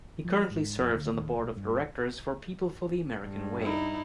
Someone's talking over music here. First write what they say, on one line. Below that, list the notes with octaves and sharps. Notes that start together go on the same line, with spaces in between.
He currently serves on the Board of Directors for People for the American Way.
F3
G#2
F2
D2
D#2
B1
G2
G2
D#4 E4